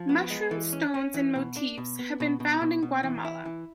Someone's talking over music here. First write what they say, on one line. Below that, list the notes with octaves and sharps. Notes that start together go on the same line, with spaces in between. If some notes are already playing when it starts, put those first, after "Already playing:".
Mushroom stones and motifs have been found in Guatemala.
Already playing: F3
B3
G#3
E3
C#4
C#4
E3
B2
D4
B2
B3
B2
B2
B2
B2
E3
E4
E3